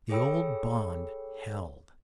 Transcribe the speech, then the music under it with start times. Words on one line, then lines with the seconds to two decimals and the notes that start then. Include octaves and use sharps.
The old bond held.
0.09 G#4 A4 C#5 G5 B5 E6